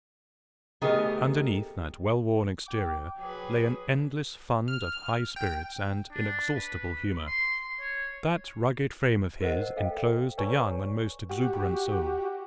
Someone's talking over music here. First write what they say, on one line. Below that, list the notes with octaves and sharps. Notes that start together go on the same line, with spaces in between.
Underneath that well-worn exterior lay an endless fund of high spirits and inexhaustible humour; that rugged frame of his enclosed a young and most exuberant soul.
A3 B3 D#4 G4 G#4 A#4
G5 D6
F#3 G#4 B4
F6
G5
D4
B4
C6
C#5
F#4 A#4 C5 D#5 F#5
A4 D#5 F5 G5
B4 C#5 D5 G#5 A#5 C#6
F#4 G4